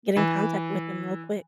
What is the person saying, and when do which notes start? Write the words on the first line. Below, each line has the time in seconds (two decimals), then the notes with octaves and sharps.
get in contact with them real quick.
0.16 E3